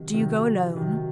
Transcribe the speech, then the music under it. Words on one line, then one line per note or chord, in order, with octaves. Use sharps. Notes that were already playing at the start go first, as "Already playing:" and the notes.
"Do you go alone?"
Already playing: C3 D#3 F#3
C3 D#3 F#3
C3 D#3 F#3